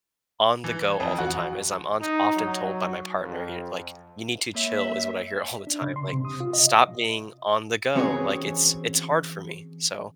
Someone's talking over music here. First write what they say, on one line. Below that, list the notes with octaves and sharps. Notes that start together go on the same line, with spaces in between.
on the go all the time. As I'm on often told by my partner, you n like, "you need to chill," is what I hear all the time, like, "stop being on the go," like, it's it's hard for me. So,
E3
F2
F#4
D#4
F#3
F2
A#3 C#5 E5
D4
C#3
C6
C3
D#6
F4
D#5
E3 C4 C#4 F#4 G#4 C#5